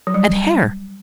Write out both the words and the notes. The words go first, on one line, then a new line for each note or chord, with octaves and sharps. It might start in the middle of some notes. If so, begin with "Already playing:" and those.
And hair.
F#3
G3